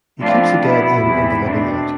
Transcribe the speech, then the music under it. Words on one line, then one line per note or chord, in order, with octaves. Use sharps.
He keeps the dead in and the living out.
A2 F3 A3 C4 D4 F4
B2 B3 E4
E2 C3 E3 G3 B3
B2 A3 C4 D4